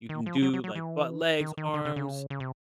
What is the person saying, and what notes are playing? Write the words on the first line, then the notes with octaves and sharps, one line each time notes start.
you can do, like, butt, legs, arms,
D#3
F3
F#3
F#3
F#3
E3
D#3
D#3
D3
C#3
C#3
C#3
C3